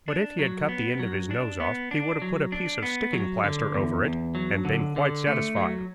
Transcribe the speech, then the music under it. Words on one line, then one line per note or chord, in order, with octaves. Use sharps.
But if he had cut the end of his nose off, he would have put a piece of sticking-plaster over it, and been quite satisfied.
D4
F#3
B3
F#3
D4
B3
D4
F#3
D4
B3
F#3
D3
E2
E2
F#3
D3
D3
A3
F#3